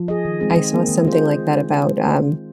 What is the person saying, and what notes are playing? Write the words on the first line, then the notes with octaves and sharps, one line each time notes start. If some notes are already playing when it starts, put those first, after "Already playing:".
I saw something like that about, um
Already playing: F3
G#4 D#5
D#3
G#3 C4 G#4
D#3
G#3 A#3 C4 G#4
D#3
G#3 F4 G#4 C5